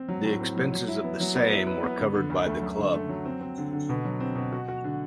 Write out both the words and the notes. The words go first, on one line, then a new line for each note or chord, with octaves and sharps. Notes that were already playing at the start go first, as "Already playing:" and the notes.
The expenses of the same were covered by the club.
Already playing: C4
F#3
A2
C4
F#3
F#3
E4
B3
F#3
B3
E4
B4
B3
D3
D3
D2
A3
F#2
D3
A3
F#3
C4
C4
D3
D3
B2
F#3
C4
B2
F#4
F#4
D3